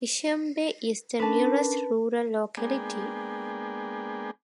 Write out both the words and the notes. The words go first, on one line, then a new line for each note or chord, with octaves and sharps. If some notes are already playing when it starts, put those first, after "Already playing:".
Ishimbay is the nearest rural locality.
C#4 D4 A#4 B4 A5
G#3 A#3 B3 D4 G#4 G5